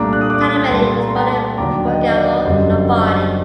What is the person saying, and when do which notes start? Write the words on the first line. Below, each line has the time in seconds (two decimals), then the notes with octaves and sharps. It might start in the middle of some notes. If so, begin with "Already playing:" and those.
Taramelli was born in Bergamo, Lombardy.
Already playing: C2 A#2 A3 D4 A#5 D6
0.13 F#6
0.21 D#6
0.30 D6 F#6
0.41 C6 D#6
0.70 C2 A#2 A3 A5 C6
1.00 A#5
1.08 C6
1.16 G5 A#5
1.25 D6
1.29 A5 C6
1.58 D#2 D3 F#3 A#5 D6
1.87 D#5 G5
2.08 D#5
2.16 D5 F#5
2.45 F#1 F#2 D3 G3 C4 C5 D#5